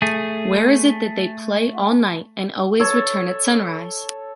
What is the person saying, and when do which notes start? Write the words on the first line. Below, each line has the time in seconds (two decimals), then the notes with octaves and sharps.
Where is it that they play all night and always return at sunrise?
0.02 A3 G#4
2.80 A4 C#5